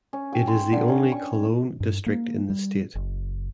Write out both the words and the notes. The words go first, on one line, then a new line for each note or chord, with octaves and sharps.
It is the only Cologne District in the state.
C#4
G5
C6
D3
C#4
C#6
G2
A#3
G3
F#1